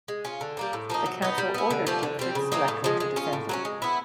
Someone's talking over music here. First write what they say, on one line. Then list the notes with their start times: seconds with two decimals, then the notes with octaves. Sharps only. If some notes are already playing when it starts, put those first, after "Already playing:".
The Council ordered Guilford's selectmen to defend them.
0.08 G#3
0.25 C#4 F4
0.41 D3
0.57 G3 A#3 D4
0.73 A2
0.90 F3 A#3 D#4
1.06 F#3
1.22 B3 D#4
1.38 G3
1.54 B3 E4
1.71 D3
1.87 F3 A3 D4
2.03 D3
2.19 G3 C4
2.35 C#3
2.52 F#3 A#3 D#4
2.68 A2
2.84 F3 G#3
3.00 G#3
3.16 C#4 F4
3.33 A2
3.49 F#3 A#3 C#4
3.65 G#3
3.82 B3 E4